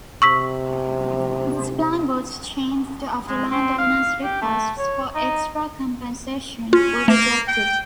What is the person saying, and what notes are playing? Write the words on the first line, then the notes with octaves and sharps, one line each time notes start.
This plan was changed after landowners' requests for extra compensation were rejected.
C3 C#6 E6 B6
G#3
C4
F5
G4
A3
C#5
D#4
C#4 F4
A3 A#3 E7
G5